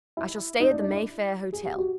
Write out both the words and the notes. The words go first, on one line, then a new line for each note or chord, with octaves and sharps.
I shall stay at the Mayfair Hotel.
E4
D#4
D4
D4
E4
G#4
G4
F#4